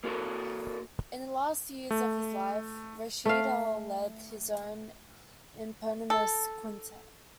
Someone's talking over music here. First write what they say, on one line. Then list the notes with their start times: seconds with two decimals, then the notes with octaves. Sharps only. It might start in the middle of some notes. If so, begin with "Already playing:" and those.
In the last years of his life, Rashied Ali led his own eponymous quintet.
0.04 A#3 F#4 A4 A#4
1.91 A3
3.25 A3 F5
6.10 A4